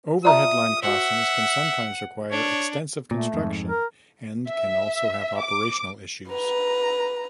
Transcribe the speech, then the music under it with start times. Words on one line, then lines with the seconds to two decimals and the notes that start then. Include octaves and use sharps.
Overhead line crossings can sometimes require extensive construction and can also have operational issues.
0.25 F4 D5 E5 A5 A#5 D#6
0.82 F#4 C5 E5 F#5
2.32 D4 C#5
3.11 A#2 A3
3.34 F2 G#2
3.68 A#4
4.48 E5
5.40 D6
6.29 B4 A#5